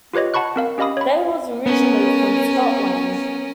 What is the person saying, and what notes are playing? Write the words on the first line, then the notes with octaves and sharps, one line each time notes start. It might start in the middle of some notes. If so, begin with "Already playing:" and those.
Dave was originally from Scotland.
F4 G4 B4 C#5 D#5
F#5 A5 B5 C#6 F#6
C4 A#4 F5
C#4 G4 D#5 F5 B5 D#6
C#5 B5
B3 C#4 A#4